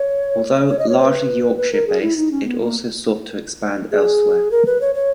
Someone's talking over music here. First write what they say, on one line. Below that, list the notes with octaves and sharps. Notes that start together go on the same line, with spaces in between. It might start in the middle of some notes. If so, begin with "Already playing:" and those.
Although largely Yorkshire-based it also sought to expand elsewhere.
Already playing: C#5
C#5
D#5
C#5
C#5
B4
B4
A#4
G#4
E4
D#4
C#4
B3
A#3
G#4
A#4
B4
C#5
C#5